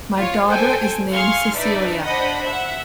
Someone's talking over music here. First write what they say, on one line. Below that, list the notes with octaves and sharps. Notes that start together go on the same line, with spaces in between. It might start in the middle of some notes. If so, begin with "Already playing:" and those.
My daughter is named Cecilia.
F4 C#5
A4 C5 G5 G#5
G#4 F5 C6 C#6 F6
D4 D#4 B4 D5 E5
D4 C5 D#5 F#5 B5
E5 F#5